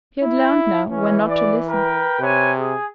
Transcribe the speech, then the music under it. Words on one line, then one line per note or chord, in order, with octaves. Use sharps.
She had learned now when not to listen.
E4
E3 C#4
D5
A#4 B4 G5
C3 B4 C#5 G#5
G#4